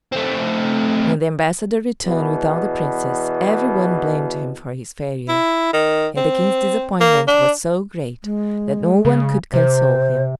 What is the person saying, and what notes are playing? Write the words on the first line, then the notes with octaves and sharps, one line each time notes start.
When the ambassador returned without the Princess, every one blamed him for his failure; and the King's disappointment was so great that no one could console him.
A3 C4
E2 B2
E4
D#3
C4
A#3
D4
G#3
C#3
C3 C5